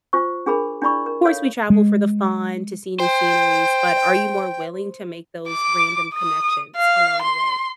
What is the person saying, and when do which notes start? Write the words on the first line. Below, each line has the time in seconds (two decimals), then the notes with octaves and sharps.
of course, we travel for the fun, to see new sceneries- but, are you more willing to make those random connections along the way?
0.13 F4 C5 C#6
0.46 D4 G#4 A#4 B5
0.82 D4 E4 D5 B5 C#6
1.06 A#4
1.25 A4 C#5 F5
1.70 G#3
3.00 C5 G5
5.48 D6
6.15 D#6
6.77 F5
7.22 C6